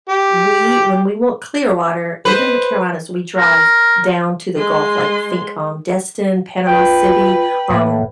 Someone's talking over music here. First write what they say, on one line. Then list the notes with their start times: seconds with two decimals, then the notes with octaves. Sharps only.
we when we want clear water, even in the Carolinas, we drive down to the Gulf, like, think, um, Destin, Panama City, um
0.09 G4
2.25 B4 C5
3.36 A#4
4.56 G#3 C6
6.67 F4 B4 G5
7.70 A2 A#3